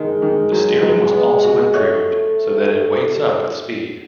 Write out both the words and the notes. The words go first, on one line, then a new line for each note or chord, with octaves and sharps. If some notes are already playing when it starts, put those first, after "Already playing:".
The steering was also improved so that it weights up with speed.
Already playing: D#3 G#3
D#3
F#3
F#3 G#3
B3
F#4
A3 C#5